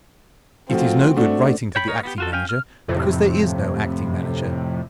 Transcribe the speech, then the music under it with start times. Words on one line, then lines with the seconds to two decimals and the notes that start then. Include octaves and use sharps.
It is no good writing to the acting manager, because there is no acting manager.
0.70 F3 A3 C4 F4 F#4
1.17 A3 C4 D4 F#4
1.75 C#5 G5 B5
1.88 D#4 A#4 C#5
2.03 B3 F#4 G4
2.18 F4 F#4 A4
2.32 C#4 F5 G5 G#5
2.49 F6
2.88 F2 A2 C3